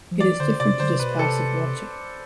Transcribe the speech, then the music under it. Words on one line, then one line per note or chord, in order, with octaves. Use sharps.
It is different to just passive watching.
F3
E3 D5
D3 C5
C3 D5
D3 C5
C3
B2 B4
C3 A4